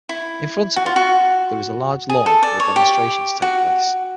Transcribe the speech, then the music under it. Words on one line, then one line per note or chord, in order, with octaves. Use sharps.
In front of it there is a large lawn where demonstrations take place.
E4
F#4
F4
F#4
G#4
A4
D5
C#5
G4
F#4